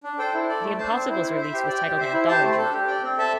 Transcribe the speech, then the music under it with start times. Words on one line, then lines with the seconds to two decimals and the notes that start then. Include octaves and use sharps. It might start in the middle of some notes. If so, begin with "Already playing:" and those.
The Impossibles release was titled "Anthology".
0.04 D4
0.18 A4 C5 G5
0.33 E4
0.49 A4 D5
0.63 A3
0.78 D4 C5 A5
0.93 C4
1.08 E4 C5
1.23 E4
1.38 C5 E5
1.53 G4
1.68 D5 G5
1.83 G4
1.98 C5 E5
2.13 E4
2.28 G4 C5 A5
2.43 A3
2.58 D4 A4
2.72 G4
2.87 D5 G5
3.02 C4
3.17 A4 E5 A5